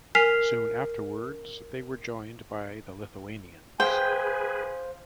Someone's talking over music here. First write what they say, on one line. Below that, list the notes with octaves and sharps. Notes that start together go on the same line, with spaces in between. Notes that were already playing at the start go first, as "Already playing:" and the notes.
Soon afterwards, they were joined by the Lithuanians.
A#4 G#5 F6 B6 C7 F7
G#4 B4 C5 F5 G5 G#5